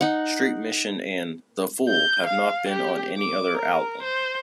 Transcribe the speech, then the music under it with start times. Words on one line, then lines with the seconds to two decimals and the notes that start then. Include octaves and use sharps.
"Street Mission" and "The Fool" have not been on any other album.
0.01 D#4 F#5
1.88 G6
2.27 F5
2.69 G4
3.17 D6
3.58 A#4
4.03 C5